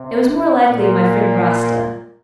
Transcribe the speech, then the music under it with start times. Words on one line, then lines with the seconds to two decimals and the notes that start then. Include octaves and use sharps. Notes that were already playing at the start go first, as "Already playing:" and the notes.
It was more likely my friend Rasta.
Already playing: C3
0.70 A#2